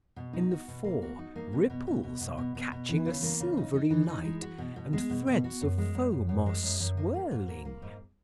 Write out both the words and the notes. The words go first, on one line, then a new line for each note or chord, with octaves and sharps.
In the fore, ripples are catching a silvery light, and threads of foam are swirling.
B2
D#4
F#4
B2
A#3
F#4
D#4
A#3
B2
B2
B2
B2
B2
B2
B2
B2
E3
C#3
A#3
C#3
D#4
D#4
E3
D#4
G#3
F#4
B2
B2
G#3
B2
B2
F#4
F#2
G#3
F#2
F#2
F#2
G#3
F#2
F#2
A#3
A#3
G#2
A#3
A#3
G#2